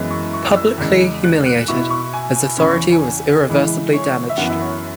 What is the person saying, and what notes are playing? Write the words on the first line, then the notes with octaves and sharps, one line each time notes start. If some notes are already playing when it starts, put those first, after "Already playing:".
Publicly humiliated, his authority was irreversibly damaged.
Already playing: F#2 E3 G#3 B3 E4
C#6
C#6
E6
E2 C#3 G#3
F#6
F#6
B2 B3 E4 C#6
C#6
G#5
G#5
E2 C#3 E3 C#4 B5
C#6
G#5
C#3 E3 G#3
C#5
E5
F#2 E3 B3 F#5
E5
C#5